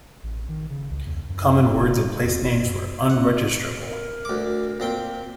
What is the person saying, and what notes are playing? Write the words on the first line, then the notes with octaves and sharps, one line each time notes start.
Common words and placenames were unregisterable.
A1
D#3
C#3
C#2
E2
F#2
E1
A#2
E2
F#1
F#2
F#5
A#4
D2 D6
A#2 C4 G5